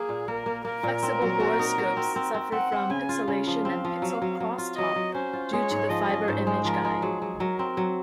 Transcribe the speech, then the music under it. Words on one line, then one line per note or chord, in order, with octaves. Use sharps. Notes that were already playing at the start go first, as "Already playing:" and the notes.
Flexible borescopes suffer from pixelation and pixel crosstalk due to the fiber image guide.
Already playing: A#3 G#4
A#2
A#3 A#4
A#3
A#3 A#4
A#2
C4
F#3
F#4
D#4
F#4
C4
C4
C4
C4 F#5
C4
C#3 G#5
F4
C#3 F5
F3
C4
F3
F#3
F#3
F#3
F4
F#3 D#5
F#3
C#4 C5
F4
G#3 C#5
G#2
F3 D#5
C#4
G#2 C5
G#3
F3 A#4
G#3
F#3 G#4
F#3
F#3 A#4
C4
F#3